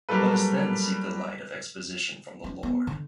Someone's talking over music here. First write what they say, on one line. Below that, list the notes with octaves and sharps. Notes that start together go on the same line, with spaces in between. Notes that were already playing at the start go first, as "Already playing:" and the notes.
Let us then seek the light of exposition from the Lord.
F#3 G3 A#3 A4 B4
C#4
B3
D3